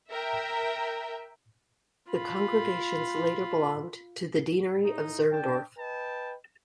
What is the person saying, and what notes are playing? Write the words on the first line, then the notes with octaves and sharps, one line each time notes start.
The congregations later belonged to the Deanery of Zirndorf.
A#4 E5 G5
F4 B5
A2 D#4
D4 G5 A5
B4 D#5 G5 A5